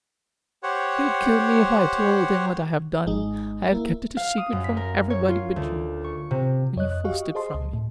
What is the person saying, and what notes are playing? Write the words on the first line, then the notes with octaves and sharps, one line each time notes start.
He would kill me if I told him what I have done. I have kept it a secret from everybody but you--and you forced it from me.
G4 C5 C#5 F#5
G#1 G#3 D#4
A#3 E4
F5
D#6
F#2
B6
A#4
C#5
F4
D2
C#6
C3
F2 C#5 D#5 F#6
F#4 G4 D#5 F5 C#6
G#4 C5 D#5 A5 C6
C#2
A2